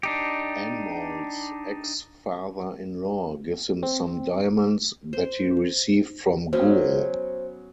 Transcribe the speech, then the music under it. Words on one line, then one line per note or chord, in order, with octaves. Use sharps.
Anmol's ex-father-in-law gives him some diamonds that he received from Guru.
D4 D#4 G4
C4
C5
F#3 B3 C#4 C5